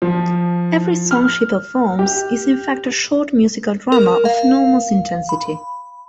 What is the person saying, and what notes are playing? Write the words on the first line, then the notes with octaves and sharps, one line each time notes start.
Every song she performs is in fact a short musical drama of enormous intensity.
F3
F6
G4
A#4
F5
B5